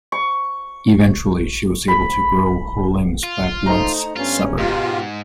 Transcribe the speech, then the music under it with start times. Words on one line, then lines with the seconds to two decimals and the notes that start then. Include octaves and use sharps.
Eventually she was able to grow whole limbs back once severed.
0.12 C#6
1.88 B5
3.23 F4
3.66 A3 D#4 C5 A#5
4.16 G2 B3 C#4 F4
4.58 G#2 B2 F4 G4